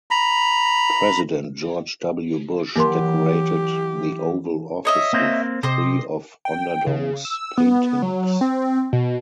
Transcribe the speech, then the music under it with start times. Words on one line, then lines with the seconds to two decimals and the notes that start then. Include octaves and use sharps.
President George W. Bush decorated the Oval Office with three of Onderdonk's paintings.
0.11 A#5 B5
2.76 E3 F#3 A#3 G4 A#4 C6
4.85 C#5 D#5 E5
5.13 A#3 C4 C5
5.63 C3 C5 D#5
6.45 G5
6.87 C#3
7.25 E6
7.58 B3
8.02 F#3
8.41 C4
8.93 B2